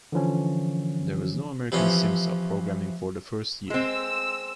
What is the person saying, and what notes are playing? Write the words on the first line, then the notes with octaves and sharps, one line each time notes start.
There was no American simsub programming for the first year.
D3 E3 F3 C#4
C3 E3 F3 C#4
G#3 C4 E6